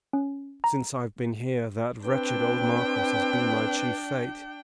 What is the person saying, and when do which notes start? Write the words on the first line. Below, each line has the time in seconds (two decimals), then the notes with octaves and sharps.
Since I've been here that wretched old Marquis has been my chief fate.
0.13 C#4
0.64 A#5
2.04 C4 D4 B4 G5